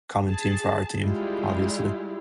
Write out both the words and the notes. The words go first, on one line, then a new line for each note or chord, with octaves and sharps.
common team, for our team, obviously.
G#4 A5
G3 G#3 E4 F4